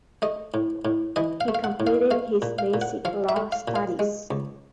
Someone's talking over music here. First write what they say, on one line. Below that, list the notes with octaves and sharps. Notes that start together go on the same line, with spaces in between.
He completed his basic law studies.
A3 D#5
A2
A2
E3 D#5
F5
A3
F5
F#5
A2
F5
A3 F5
A#2
F5
A#2
F#5
F3 F5
E5
A3
F5
A#2
F5
G#3
C#2